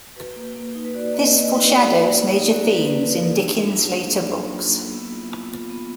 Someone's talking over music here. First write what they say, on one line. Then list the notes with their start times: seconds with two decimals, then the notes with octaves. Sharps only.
This foreshadows major themes in Dickens's later books.
0.16 F#4 B4
0.36 A#3
0.56 A#3
0.75 D#4
0.85 B4
0.95 F#4 D5
1.14 A#3 D#5
1.34 A#3 D#5
1.55 D#4 B4
1.74 F#4 D5
1.95 A#3
2.14 A#3
2.33 D#4
2.53 F#4 A#4
2.73 A#3 B4
2.93 A#3 B4
3.12 D#4 A#4
3.32 D4 G#4
3.52 F4
3.72 F#3
3.92 A#3
4.11 D4 A#4
4.32 F4
4.52 F#3
4.71 A#3
4.91 B3
5.11 F4
5.31 B3
5.50 F4
5.70 B3